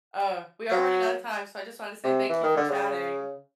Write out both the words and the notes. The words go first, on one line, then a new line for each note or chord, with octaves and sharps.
Uh, we are running outta time, so I just wanted to say thank you for chatting.
F#3
C3
E3
D#3
D3
C#3